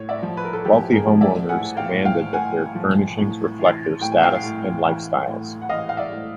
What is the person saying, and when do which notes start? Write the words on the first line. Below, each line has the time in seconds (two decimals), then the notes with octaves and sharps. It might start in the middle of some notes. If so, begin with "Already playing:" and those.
Wealthy homeowners demanded that their furnishings reflect their status and lifestyles.
Already playing: A2 C#5
0.09 D5 E5
0.23 F3
0.37 B4
0.44 A#4
0.53 A4 B4
0.65 F3 G4 A4
0.93 G#4 A#4
1.07 F3
1.21 D5 E5
1.49 A2 F#5 G#5
1.77 F5 G5
1.91 A2
2.05 F5 G5
2.33 A2 F#5 G#5
2.75 F3
3.18 A2
3.59 E3
4.01 A2 G5
4.12 G#5
4.23 F5 G5
4.44 A2
4.85 E3
5.28 A2
5.62 F#5
5.69 E3 D#5 F5
5.89 F5
5.97 D5 E5
6.12 A2